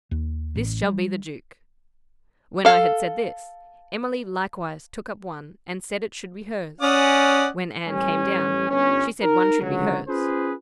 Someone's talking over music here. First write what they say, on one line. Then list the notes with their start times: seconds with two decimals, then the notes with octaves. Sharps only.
This shall be the Duke!' When I had said this, Emily likewise took up one and said it should be hers; when Anne came down, she said one should be hers.
0.11 D#2
0.56 A1
0.83 G3
2.65 A4 F5
6.81 C#4 D5 F#5 D#6
7.86 A1 G3 C#4 G#5
8.69 G1 C#4
9.22 D#4 A#4
9.61 C#2 D3 F#3
10.08 C#4 F4 G#4 B4 C5